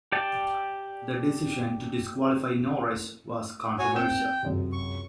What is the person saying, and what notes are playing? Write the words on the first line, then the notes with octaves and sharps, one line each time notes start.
The decision to disqualify Norris was controversial.
G4 D5 G5 A5
F#4 C#5 G#5
C4 G5 E7
C#2 F#2 C3
C#6